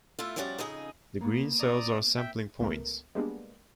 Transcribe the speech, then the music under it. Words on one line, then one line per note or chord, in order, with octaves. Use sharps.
The green cells are sampling points.
A3 E4 F4
F3 G3 C#4 F#4 B4 D5
F2 C#3 D#4 G#4 D#5
A#3 B3
C4 D4 E4 D5 A#5 D#6
E5 G5
C#2 A3 B3 A#4
G3 G#3 A#3 B3 D4